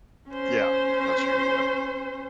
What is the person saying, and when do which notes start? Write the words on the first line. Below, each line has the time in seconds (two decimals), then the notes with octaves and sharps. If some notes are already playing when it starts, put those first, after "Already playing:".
Yeah. That's true. Yeah.
0.29 C#4 C5